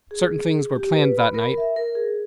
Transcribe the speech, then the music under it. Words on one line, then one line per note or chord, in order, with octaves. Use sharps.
Certain things were planned that night.
G#4
G4
B4
B5
A#4
E5
A#4
G#4